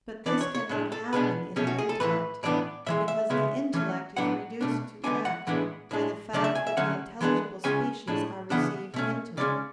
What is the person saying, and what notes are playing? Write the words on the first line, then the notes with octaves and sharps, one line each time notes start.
But this cannot happen in the intellect, because the intellect is reduced to act by the fact that the intelligible species are received into it.
E3 B3 D4 D5
C#5
C#5
A2 G#3 D4
A4
B2 G#3 B3 D4 B4
B2 A3 C#4 G#4
F#4
G#4
A4
A2 E3 A3 B4
A2 E3 B3 D4 D5
A2 E3 G#3 E5
E5
C#3 G#3 B3 E5
E3 A3 C#4
A2 F#3 B3 D4 F#5
B2 A3 D4
D3 G#3 B3 D4 G#5
F#5
A2 E3 G#3 B3 D4 F#5
A2 G#3 D4
C#3 F#3 A3 D4 D5
E5
G#5
E5
D3 F#3 A3 C#4 F#5
E3 G#3 B3 D4
C#3 G#3 C#4 G#5
A2 G#3 D4
C#3 E3 B3 D4 F#5
B2 A3 C#4
C#3 G#3 C#4 D5